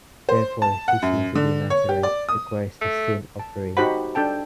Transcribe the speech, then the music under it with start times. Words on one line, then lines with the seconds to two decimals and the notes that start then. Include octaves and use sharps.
Therefore, ceasing to be nazirite requires a sin-offering.
0.29 C5
0.62 A5
0.88 F#5
1.02 F#2
1.35 D3
1.70 C#5
1.89 G4
2.03 D5
2.29 D#6
2.81 A3
3.39 A5
3.77 D#4 F#4 G4 C5 F#5 B5
4.15 D4 A4 G5 A5